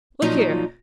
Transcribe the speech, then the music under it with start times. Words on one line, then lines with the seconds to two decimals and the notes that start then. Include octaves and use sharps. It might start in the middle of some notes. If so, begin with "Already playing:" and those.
Look here!
0.22 A#2 F3 F#3 D#4